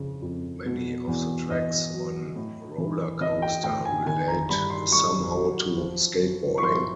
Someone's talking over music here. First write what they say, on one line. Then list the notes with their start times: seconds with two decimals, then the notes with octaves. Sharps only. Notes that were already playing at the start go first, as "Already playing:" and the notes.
Many of the tracks on "Roller Coaster" relate somehow to skateboarding.
Already playing: F2 C#3
0.22 F2
0.66 B2
1.07 E2
1.50 E2 D#5
1.93 F#3
2.36 A2
2.78 E3
3.21 E3 D#5
3.42 G5
3.64 A2 G5
3.85 G#5
4.06 D#3 G#5
4.28 A#5
4.49 G2 B5
4.70 C6
4.92 G2 C#6
5.35 F#3
5.77 F3
6.20 F#2
6.58 C#6
6.62 F3 C6